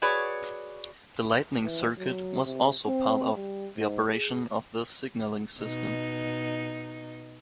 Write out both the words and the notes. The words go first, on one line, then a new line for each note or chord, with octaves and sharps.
The lighting circuit was also part of the operation of the signalling system.
F#4 G#4 B4 C#5 D5
E3
F#3
C3
C4
G3
G#2
G#4
B2 D#4